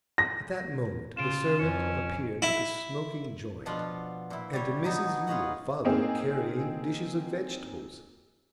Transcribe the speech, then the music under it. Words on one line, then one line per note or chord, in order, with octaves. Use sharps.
At that moment the servant appeared with a smoking joint, and Mrs Yule followed carrying dishes of vegetables.
A#6
C#3 F4 D7 E7
F2 C#4 C#7
E4
B2 F3 D4 F4 F#5 B5
A#2 E4
G3 C#5
F#3 B3 D#4 E4 A5
F4 G#4 B4 C#5 D#5 F#5
A#3 C4 D#4 G#4